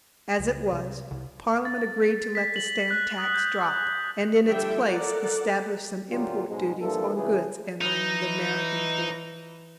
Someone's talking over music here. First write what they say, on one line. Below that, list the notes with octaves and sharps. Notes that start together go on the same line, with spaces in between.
As it was, Parliament agreed to let the stamp-tax drop, and in its place established some import duties on goods entering the American ports.
C#2
C2
C2
A6
B6
F#7
F#6
D#6
G6
F#7
D3 F3 G3 A4 E5 G5
A4 A#4 D5 F#5
A#2 D3 F#3 F4 G4
B1 G#2 B2 G#3
G2 E3 F3 A#3 A4
C#2 E3 G3 A3 G#4
E3 D#4